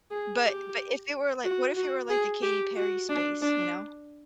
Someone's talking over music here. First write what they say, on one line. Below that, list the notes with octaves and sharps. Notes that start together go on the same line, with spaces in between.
but but if it were, like what if it were, like, the Katy Perry space, you know,
G#4
G4
F#4
F#4
G#4
G4
F#4
D4
D4